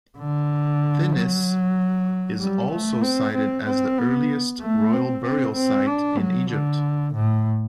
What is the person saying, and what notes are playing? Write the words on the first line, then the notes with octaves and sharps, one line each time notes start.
Thinis is also cited as the earliest royal burial-site in Egypt.
D3
F#3
G3
A3
C4
C4
C4
B3
A3
C4
C4
C4
D4
F#3
D3
A2